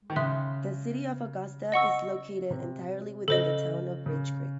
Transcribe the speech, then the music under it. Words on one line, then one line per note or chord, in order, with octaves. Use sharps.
The city of Augusta is located entirely within the town of Bridge Creek.
D#3
C#3 E5 C6 D#6 F#6
D#5 F#5 C#6 E6
C3
C#3 A4 C5 D#5
C#3